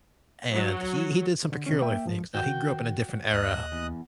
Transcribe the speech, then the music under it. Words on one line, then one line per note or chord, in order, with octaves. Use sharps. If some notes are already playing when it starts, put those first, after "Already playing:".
and he he did some peculiar things. Now, he grew up in a different era,
F#3
D3
C3 D#3 C#4
A#3 E5 G5
G#2 F3
D#3 F#4 G5
D#2 D#5 D#6 F#6
E2